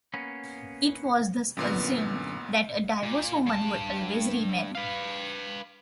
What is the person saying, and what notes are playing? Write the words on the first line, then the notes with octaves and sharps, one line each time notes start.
It was thus assumed that a divorced woman would always remarry.
A#3 B3 C#4
A1 F#2 A#2 D3 B3
A#2
G2 A5
B4 F5